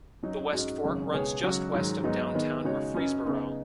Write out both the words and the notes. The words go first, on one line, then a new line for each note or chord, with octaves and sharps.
The West Fork runs just west of downtown Murfreesboro.
F#2 F#3 D#4
G#2 G#3 C#4 F#4 D#5
G#1 F#2 C#3
C#2 B2 B3 G#4 C#5
C#2 C#3 F#3 C#4 F#4
G#2 D#3 F#3
G#2 F#3 B3 D#4
D#3 B3 G#4 B4 D#5
C#3 G#3 D#4 F#4 C#5
F#2 F#3 C#4 B4 D#5
C#3 B3 D#4